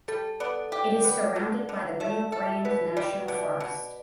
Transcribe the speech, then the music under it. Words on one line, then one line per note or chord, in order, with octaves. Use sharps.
It is surrounded by the Rio Grande National Forest.
G3 A4
B3 D5
G4
B3
D3
D3
A3 E5
A4
B2 B4
G3 D5
B2 D5
B2